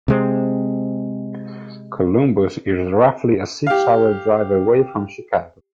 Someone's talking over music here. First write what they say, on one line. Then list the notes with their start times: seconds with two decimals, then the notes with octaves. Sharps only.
Columbus is roughly a six-hour drive away from Chicago.
0.08 C3 G#3 C4
3.67 G4 F5